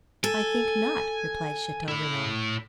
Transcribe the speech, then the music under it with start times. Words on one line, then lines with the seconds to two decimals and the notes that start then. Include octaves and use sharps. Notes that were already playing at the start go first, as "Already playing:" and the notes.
"I think not," replied Chateau-Renaud.
0.24 A4 G#5
1.88 A2 E4